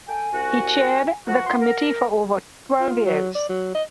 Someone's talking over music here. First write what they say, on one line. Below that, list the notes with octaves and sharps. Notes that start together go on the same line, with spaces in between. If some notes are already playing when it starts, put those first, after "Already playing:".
He chaired the committee for over twelve years.
A4 G5 G#5
C2 F#4
F3 B3 F#4 F#5
F4 C6
A#4
F4
F#3
D5
F#3
D#5